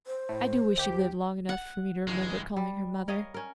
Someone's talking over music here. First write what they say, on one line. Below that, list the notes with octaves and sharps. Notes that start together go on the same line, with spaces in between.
I do wish she'd lived long enough for me to remember calling her mother.
C5
A2
D#2 G4 G6
F#5
C#2 G2 E3 G#3
G3
A#4 C#5 D#5 F5
C#4 A#4